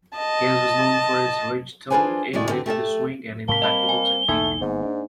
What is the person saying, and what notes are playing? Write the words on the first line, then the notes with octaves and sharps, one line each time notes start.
Getz was known for his rich tone, ability to swing and impeccable technique.
D#5 A5
D4 F4 G#4 B4 C5 G#5
D#2 A2 G#3 E4 D5
D3 C4 G4 B4
A3 G4 A4 E5
G#2 C3 A#3 A5 B6 G7
G3 A3 C4 D#5 A5 B5
G#5
B1 E2 D3 A3 A#3 D#4 G#5
G1 G#2 B3
C#4 D4